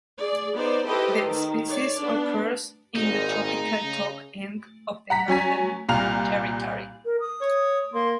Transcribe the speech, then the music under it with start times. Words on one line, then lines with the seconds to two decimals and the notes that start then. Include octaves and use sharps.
The species occurs in the tropical Top End of the Northern Territory.
0.18 G#4 D5
0.54 B3 D#4 C5 D5
0.85 E4 G4 A4 B4 C5 D#5
1.22 D#3
1.69 C#5 D5
1.99 B3 D4
2.96 G#1 A#2 G#3 D#4
3.84 C#3
5.10 F#5 A#5 B6
5.28 F#3 C#4 G#5 B6
5.89 C2 A#2 F5 A#5 F6 F7
7.05 A#4
7.20 D#6
7.41 C#5
7.94 A#3 C6